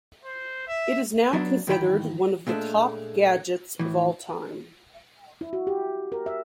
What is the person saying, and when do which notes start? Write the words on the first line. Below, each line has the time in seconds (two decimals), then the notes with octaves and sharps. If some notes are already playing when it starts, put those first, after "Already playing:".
It is now considered one of the top gadgets of all time.
0.25 C5
0.67 E5
1.33 F#3 B3 D4
1.67 G#2 D#3 E3 B4 G5 B5
2.47 A#2 G#3 A3 D4
3.79 A2 E3
5.41 E4
5.53 F#4
5.67 G4
6.12 A#4
6.26 E5